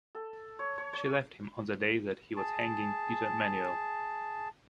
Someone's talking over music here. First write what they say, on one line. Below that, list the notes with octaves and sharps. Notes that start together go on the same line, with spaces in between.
She left him on the day that he was hanging Peter Manuel.
A4
C#5
C#5
C#5
G#4 A5